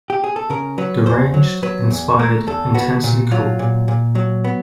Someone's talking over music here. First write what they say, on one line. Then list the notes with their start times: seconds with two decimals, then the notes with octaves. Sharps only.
Deranged, inspired, intensely cool.
0.10 G4
0.24 G#4
0.36 A4
0.50 C#3 A#4
0.78 F#3 B4
1.06 E2 C5
1.34 F#3
1.63 F#3 B4
1.90 E2
2.19 A3 A#4
2.47 E2 A4
2.74 B3 F#4
3.04 A#2
3.31 F#3 F4
3.59 A#2
3.88 A#2
4.15 F#3
4.44 B3